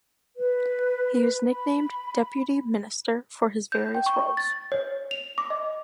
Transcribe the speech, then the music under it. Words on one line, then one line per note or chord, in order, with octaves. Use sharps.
He was nicknamed "Deputy Minister" for his various roles.
B4
B5
G6
G5
C#6
A6
C#5
F7
D6
D#5